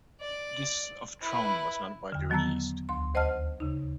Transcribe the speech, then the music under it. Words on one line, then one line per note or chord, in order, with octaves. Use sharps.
"Discs of Tron" was not widely released.
D5
E4 B4
E2 D3
D#3 F#3 B3 A5 A#5 E6
D2 C6
D#2 C5 D#5 F#5 A5 F6
C#3 D#4